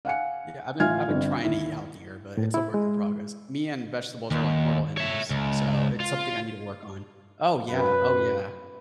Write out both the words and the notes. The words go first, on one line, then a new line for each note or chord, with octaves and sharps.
Yeah, I've been I've been trying to eat healthier, but it's a work in progress. Me and vegetables are like mortal enemies, so it's something I need to work on. Oh, yeah, oh, yeah.
F5 F#5 G#5 C#7
A1 F4 E5 G#5 F6 G#6
G1 C4
D#2 E4
A2
E4
G#3
D#2
C#5 E5
C#2
F4
F#2 B4